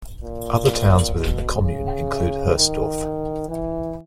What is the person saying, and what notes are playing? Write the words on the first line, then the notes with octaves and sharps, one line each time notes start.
Other towns within the commune include Hoesdorf.
A#2
B2
C#3
D#3
E3